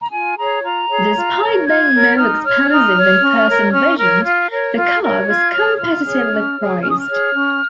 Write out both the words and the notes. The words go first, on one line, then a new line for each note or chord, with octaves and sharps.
Despite being more expensive than first envisioned, the car was competitively priced.
A#5
F4 G#5
G#4 C#5 A#5
F4 A#5
G#4 C#5
F4
A#4 C#5
F4 G#6
A#4 C#5
D#4 F6
C#5 F6
D#4 F6
C#5
C#4
A#4 C#5
C#4 F6
A#4 C#5 F6
F4
A#4 C#5
F4
A#4 C#5
F4 G#6
G#4 C#5 F6
F4 F6
G#4 C#5
C#4
G#4 C#5
C#4 F6
D#6
F6
G#4 C#5
C#4